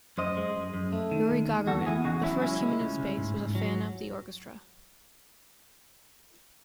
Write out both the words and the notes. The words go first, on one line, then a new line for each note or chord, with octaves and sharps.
Yuri Gagarin, the first human in space, was a fan of the Orchestra.
F#2 C5 D#5
G#3
F#2
F#2
A3
D#3
D#2
D#2
E2 F#4 A4
E2 E4 G#4
C#3 D#4 F#4
F#3 C#4 E4
C#2 C#4 E4
G#3
C#2
C#2
G#2
G#2
F#3